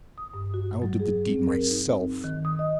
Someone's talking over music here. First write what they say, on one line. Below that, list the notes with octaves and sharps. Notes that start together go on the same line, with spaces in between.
"I'll do the deed myself."
D#6
G2
F#4
F#3
G#4
C4
A#4
D#4
C4
D#3
D#6
D#5